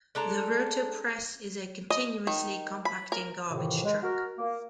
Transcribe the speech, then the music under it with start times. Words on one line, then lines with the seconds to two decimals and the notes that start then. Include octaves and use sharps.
The Rotopress is a continuously compacting garbage truck.
0.15 G#3 D4 A4 A#5
1.90 D#5
2.27 D#3
2.85 B5
3.12 A#4
3.50 F2 A2 C3 D#3 E3
3.85 G#3
4.02 F#4 A#4
4.38 A#3